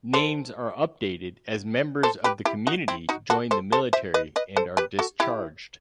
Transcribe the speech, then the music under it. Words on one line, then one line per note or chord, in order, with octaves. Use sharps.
Names are updated as members of the community join the military and are discharged.
A4 C5
A4 C5
G4 B4
E4 G4
D#4 F#4
C4 E4
D#4 F#4
F#4 A4
A4 C5
A4 C5
C5 E5
B4 D#5
B4 D#5
A4 C5
G4 B4
F#4 A4
E4 G4